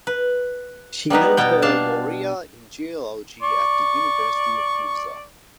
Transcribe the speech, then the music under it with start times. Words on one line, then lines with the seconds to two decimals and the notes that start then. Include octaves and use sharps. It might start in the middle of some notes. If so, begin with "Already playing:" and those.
She earned her laurea in geology at the University of Pisa.
0.07 B4
1.10 G3 B3 D#4 B4
1.37 B2 B3 G5
1.62 D4 F5 A5
3.43 D5 C#6